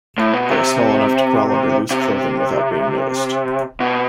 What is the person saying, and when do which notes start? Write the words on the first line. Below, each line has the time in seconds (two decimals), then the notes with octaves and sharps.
They are small enough to crawl under loose clothing without being noticed.
0.18 A2
0.33 B2
0.50 C3
1.91 C3
3.80 B2